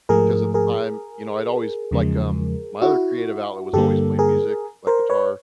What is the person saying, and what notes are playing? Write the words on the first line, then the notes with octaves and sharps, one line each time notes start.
'Cause at the time, you know, I'd always like um, my other creative outlet was always playing music, like guitar,
G#2 F3 A3 G#4 A#4
G#4 A#4
E2 C#3 F3 G#3
E4 F#4
G2 D3 G3 A#3 G4 A4
G#4 A#4
A#4 C5
B4 C#5